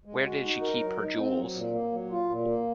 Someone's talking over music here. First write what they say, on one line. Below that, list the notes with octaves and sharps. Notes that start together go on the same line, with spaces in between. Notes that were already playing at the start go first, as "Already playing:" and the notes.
Where did she keep her jewels!
G#3
F#4
D#4
A#4
F#3
D#4
C4
F#3
A#2
A#3
F#3
F4
A#2
A#3